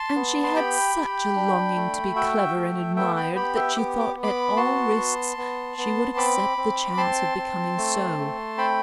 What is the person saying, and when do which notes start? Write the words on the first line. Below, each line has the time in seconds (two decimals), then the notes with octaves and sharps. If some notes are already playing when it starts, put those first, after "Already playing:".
And she had such a longing to be clever and admired that she thought at all risks she would accept the chance of becoming so.
Already playing: A5 C6
0.15 B3
0.44 C6
0.56 G4 G5 B5
0.95 G4
1.36 D4
1.76 A3
2.16 F#4 E5 G5
2.56 A3
2.96 B3 E5 G5
3.16 G5 B5
3.36 G4 G5 B5
3.56 E5 G5
3.76 B3 D6
4.00 D6
4.16 B3
4.23 B5 D6
4.57 F#4 A5 C6
4.96 B3
5.37 B3
5.78 B3
6.17 C4 B5 D6
6.57 C4
6.97 C4 A5 C6
7.38 C4
7.78 A3
8.18 A3
8.58 C4 G5 B5